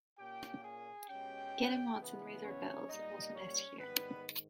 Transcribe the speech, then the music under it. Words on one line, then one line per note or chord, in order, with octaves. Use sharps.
Guillemots and razorbills also nest here.
A#2 A#3 C#4 G4 G5
G#4 G#5
B2 G#3 C#4 G4 G5
C#3 E3 G#3 B3
C#4 C#5
A#2 G3 A#3 D#4 D#5
C#4 C#5
G#2 D#3 G3 B3 B4